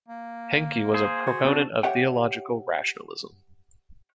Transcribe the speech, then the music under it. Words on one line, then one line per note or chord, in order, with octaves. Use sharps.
Henke was a proponent of theological rationalism.
A#3
G#4 C5
F#4
C4 D4
G4 C#5 E5 F#5 G5